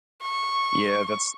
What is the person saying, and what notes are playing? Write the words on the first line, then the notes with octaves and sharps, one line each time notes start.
Yeah, that's
C#6